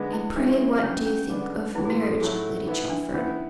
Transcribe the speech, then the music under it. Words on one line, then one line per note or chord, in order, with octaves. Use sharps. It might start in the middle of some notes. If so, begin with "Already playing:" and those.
'And pray what do you think of marriage, Lady Chelford?'
Already playing: D3 G#3 B3
E4
E3 G#3 C#4 D4 E4
C#3 F#3 B3 C#4
C#4
D3 G#3 B3 D4
A2 E3 B3 E4
G#4
F#4
A4
A2 F#3 A3 E4 G#4
E3 B3 E4
D4
E3 B3 C#4 E4